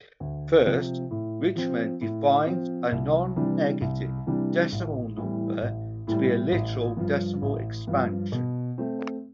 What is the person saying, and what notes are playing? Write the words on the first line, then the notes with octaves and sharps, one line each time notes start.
First, Richman defines a nonnegative "decimal number" to be a literal decimal expansion.
D2
C3 F3 C4
A2
F3 C4
A2
F3 C4
C2
C3 E3 G3 D4
C2
C3 E3 G3 D4
A1
A2 E3 G3
A1
A2 E3 G3
A1
G2 F3
A1
G2 F3
B2
A3 C4